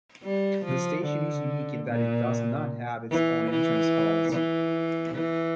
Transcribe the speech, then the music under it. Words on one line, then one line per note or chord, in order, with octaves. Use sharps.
The station is unique in that it does not have its own entrance halls.
G3
F3
D3
A#2
E3
E3
E3
E3